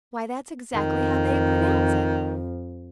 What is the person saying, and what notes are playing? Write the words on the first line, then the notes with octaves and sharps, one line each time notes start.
"Why, that's exactly how they'd pronounce it!"
F2 D#3